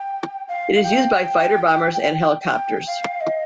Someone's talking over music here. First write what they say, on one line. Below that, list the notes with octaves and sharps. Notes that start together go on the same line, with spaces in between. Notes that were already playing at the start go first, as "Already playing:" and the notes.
It is used by fighter bombers and helicopters.
Already playing: G5
F5
G5
G5
F5
D#5